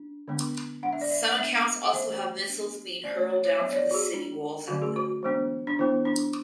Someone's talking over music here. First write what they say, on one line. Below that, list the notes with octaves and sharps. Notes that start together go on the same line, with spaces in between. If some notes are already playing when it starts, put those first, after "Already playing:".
Some accounts also have missiles being hurled down from the city walls at them.
Already playing: D4
D3 G#3 B3 D4
G#3 D4 F#5
E5
D5
E5
F#5
G#3 B3 D4 E5
F#5
E3 A3 C#4 E5
G#3 B3 D4
E3 A3 C#4 D5
C#5
C#5
C#5
F#3 B3 D4 E5
C#5
D5
F#4
G#4
G#3 D4
D3 F#3 A3 C#4 F#4
G#4
F#4
E3 G#3 B3 D4
D4
E3 B3 D4 E4
D4